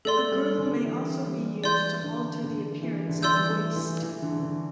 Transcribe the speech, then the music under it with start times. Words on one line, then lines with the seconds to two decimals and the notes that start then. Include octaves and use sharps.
A girdle may also be used to alter the appearance of the waist.
0.05 A3 A4 D5 C6
0.31 G3
0.58 D3
0.84 E3
1.24 G3
1.64 E3 D5 C6 G6
2.03 D3
2.43 D3
2.83 E3
3.09 D3
3.22 E3 D5 C6 E6 G6
3.36 G3
3.49 A3
3.76 E3
4.02 E3
4.22 D3
4.42 D3